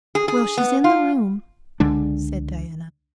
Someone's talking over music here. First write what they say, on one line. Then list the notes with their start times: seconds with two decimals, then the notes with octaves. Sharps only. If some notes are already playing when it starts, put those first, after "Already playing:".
"Well, she's in the room," said Diana.
0.15 G#4
0.28 G#4
0.58 B3
0.84 F4
1.80 C#2 D3 G#3 D4